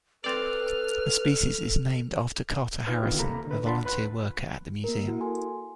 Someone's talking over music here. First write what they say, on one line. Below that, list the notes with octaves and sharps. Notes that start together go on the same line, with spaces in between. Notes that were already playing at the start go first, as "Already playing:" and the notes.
The species is named after Carter Harrison, a volunteer worker at the museum.
C4 A4 B4 D5 F6
D#4 F4 B4 F6
D3 D#3 B3 E4 F4 G4
D2 C3 A#3 A4 A#5 B5
D3 B4
D4 F4 F#5 A5 B5 C6
D2 B4 B5 F#6
A#3 A#4
E4 F#4
A4 G#5 C6